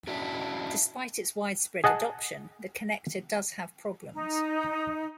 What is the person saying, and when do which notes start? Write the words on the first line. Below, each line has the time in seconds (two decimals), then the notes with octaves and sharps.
Despite its widespread adoption, the connector does have problems.
0.07 C#4 D4 E4 F#4 G#4
1.84 G#4 D#5 F#5 A5
4.14 D#4